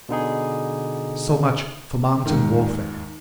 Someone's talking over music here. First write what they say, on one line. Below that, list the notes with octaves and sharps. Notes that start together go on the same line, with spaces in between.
So much for mountain warfare.
B2 D3 D#4 G#4
D#2 G#2 D#3